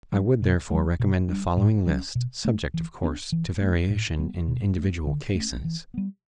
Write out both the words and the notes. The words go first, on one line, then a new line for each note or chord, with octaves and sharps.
I would, therefore, recommend the following list, subject, of course, to variation in individual cases.
F#3 C#4
B2
F#3 A3
B2
G3 D4
A2
F#3 C#4
B2
A3 C#4
E3
B3 D4
E3
A3 D4
A2
G3 B3
B2
A3 D4
D3
A3 C#4
E3
G3 B3